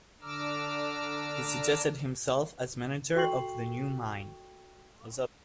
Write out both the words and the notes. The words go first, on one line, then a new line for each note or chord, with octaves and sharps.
He suggested himself as manager of the new mine.
D3 D4 A#5 D6 E6 F6
F#4 A4 G5 C#6 C7 F#7